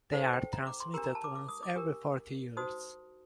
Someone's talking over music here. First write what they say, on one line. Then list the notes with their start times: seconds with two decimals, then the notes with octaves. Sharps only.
They are transmitted once every forty years.
0.12 D#4 A4 C5 F#5
0.33 G5
0.53 A#5
0.67 D6
0.80 C6
0.94 D4 G4 A#4 A#5
1.04 A#5
1.15 A5
1.24 D6
1.36 D6
1.48 D#6
1.63 D6
1.76 D4 G4 A#4
2.57 D#4 F#4 C5 D#6